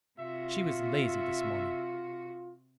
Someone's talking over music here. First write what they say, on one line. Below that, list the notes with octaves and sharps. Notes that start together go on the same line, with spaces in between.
"She was lazy this morning!"
C3 F4 F#4 E5